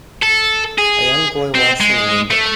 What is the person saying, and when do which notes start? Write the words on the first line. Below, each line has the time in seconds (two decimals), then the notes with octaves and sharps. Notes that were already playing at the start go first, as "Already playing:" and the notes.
A young boy washing a window.
0.22 A4
0.78 G#4
1.55 C4
1.81 G#3
2.31 A3